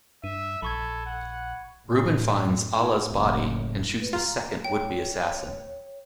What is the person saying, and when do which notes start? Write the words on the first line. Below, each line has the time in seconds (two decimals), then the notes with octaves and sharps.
Reuben finds Alla's body and shoots the second would-be assassin.
0.24 G2 E5 D#7
0.62 A#1 A4 B5 C#6 G#6
1.06 F#5
1.86 A2
2.72 E4
3.09 F#1 A2
4.01 B4
4.13 F4 A#5
4.65 C#5 G5